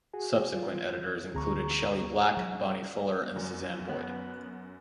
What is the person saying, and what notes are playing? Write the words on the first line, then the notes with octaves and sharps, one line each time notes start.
Subsequent editors included Shelley Black, Bonnie Fuller, and Suzanne Boyd.
F#4 G#4 G#5
F#3 F4
D2 C4 G#4 A#5 C#6
F#3
F#2
B3